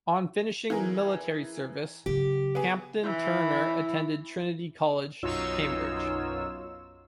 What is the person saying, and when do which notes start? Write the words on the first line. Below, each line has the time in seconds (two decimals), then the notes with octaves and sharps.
On finishing military service, Hampden-Turner attended Trinity College, Cambridge.
0.70 E3 G#4 A#4
2.06 C#3 F#3 G4
2.55 B3 G#4
3.03 E3 E4
5.23 B1 F#2 D#4 F4 C#5 E6